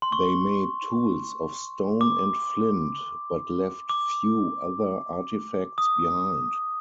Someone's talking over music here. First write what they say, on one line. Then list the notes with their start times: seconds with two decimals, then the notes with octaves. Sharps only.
They made tools of stone and flint but left few other artifacts behind.
0.02 C6
0.12 C#6
2.01 D6
3.89 D6
5.78 D#6